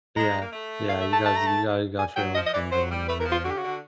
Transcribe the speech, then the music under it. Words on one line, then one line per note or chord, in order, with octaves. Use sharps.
Yeah, yeah, you guys you guys got your own thing going over there.
G#3 A#5
G#3
A#3
A3
F5
E5
A5
A5
A#5
A5
G#5
F#3 G5
F3 D#5
D#5
E3 D5
F#3 C5
G3
A3 B4
E3 A#4
F3
F4
D3 F#4
G4
C#3 F#4
D3